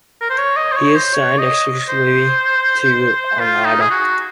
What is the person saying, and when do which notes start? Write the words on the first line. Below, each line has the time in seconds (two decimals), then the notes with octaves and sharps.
He is signed exclusively to Armada.
0.21 A#4
0.30 C5
0.38 C#5
0.57 D#5
0.72 C5
0.76 C#5
0.95 C5
1.13 C#5
1.39 D#5
1.89 C5
3.40 F4
3.66 D#4
3.81 G#4
3.91 F#4